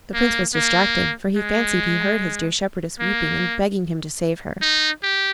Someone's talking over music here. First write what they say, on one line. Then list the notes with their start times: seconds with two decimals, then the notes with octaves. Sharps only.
The Prince was distracted, for he fancied he heard his dear shepherdess weeping and begging him to save her.
0.14 A#3
0.55 A#3
1.36 G#3
2.99 A#3
4.62 D#4
5.03 G4